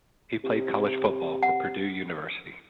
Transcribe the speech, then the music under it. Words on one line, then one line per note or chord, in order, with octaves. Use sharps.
He played college football for Purdue University.
C3
F#5